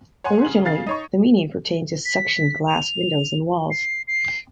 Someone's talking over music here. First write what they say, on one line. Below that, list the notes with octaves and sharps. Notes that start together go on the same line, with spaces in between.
Originally, the meaning pertained to sectioned glass windows in walls.
C#5 F#5 G#5 C6
C#3 F#7
C#3 F5 A6 C7
D#4 C#5 C#6
B6
F7
C7
C7